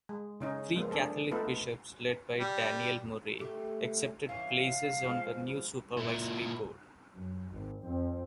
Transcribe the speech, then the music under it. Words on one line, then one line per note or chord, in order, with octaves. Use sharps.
Three Catholic bishops, led by Daniel Murray, accepted places on the new supervisory board.
G#3
C#3 C#4 D#4
F3 G#3 A#3 B3 F4
D4 G#4 A4
A3 B3 D#4 F4 A4 B4
G3
A3 G4
E3 C#4 F5
F3 G#3
A#2 E4
F#2
G#1
F2 C4